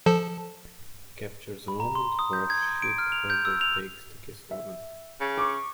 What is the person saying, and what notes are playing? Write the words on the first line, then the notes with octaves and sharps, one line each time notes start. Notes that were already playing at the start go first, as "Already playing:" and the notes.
He captures a moment where a sheepherder takes to kiss a woman.
F3 A4 A5
B5
A#5
C6
D#6
G6
G#6
D7
F6
F7
G6
E6
F7
E5
C#3
C#6 D6